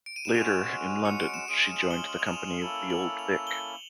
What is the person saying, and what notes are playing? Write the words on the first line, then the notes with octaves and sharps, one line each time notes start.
Later, in London, she joined the company of The Old Vic.
D7
D#7
E7
G#3 C#4 F#4 F7
C#7
D7
E7
G#3 C#4 F4 G#4 D#7
E7
F#7
G7
F#7
F7
E7
F7
F#7
A#3 C#4 E4 A4 F#7
F#7
F#7
F#7
F7
G7